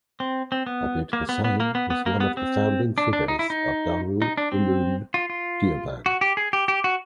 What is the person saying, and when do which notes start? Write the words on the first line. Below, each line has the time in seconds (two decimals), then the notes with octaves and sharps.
Abid Hussain was one of the founding figures of Darul Uloom Deoband.
0.20 C4
0.52 C4
0.67 B3
1.13 A#3
1.29 B3
1.44 B3
1.60 A#3
1.75 B3
1.90 B3
2.06 A#3
2.20 B3
2.37 C4
2.98 D4
3.13 D4
3.28 D#4
3.39 E4
3.50 D#4
4.22 D#4
4.38 D4
4.52 C4
5.14 F4
5.30 F4
6.06 F#4
6.21 G4
6.37 G#4
6.53 G4
6.68 G4
6.84 F#4